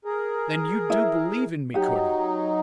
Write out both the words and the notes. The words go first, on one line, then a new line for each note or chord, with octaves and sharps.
"Then you do believe in me, Colonel?"
G#4 A#4
E4 E5
F#3 D#4 G4 F#5